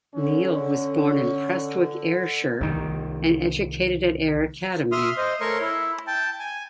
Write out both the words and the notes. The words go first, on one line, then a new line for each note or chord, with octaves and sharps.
Neill was born in Prestwick, Ayrshire and educated at Ayr Academy.
D3 C#4
C2 D#3
E5 C6 D#6 F6
C5 D#5
A3 A#4 C#5 C6 C#6
E4
G5 A5
G#5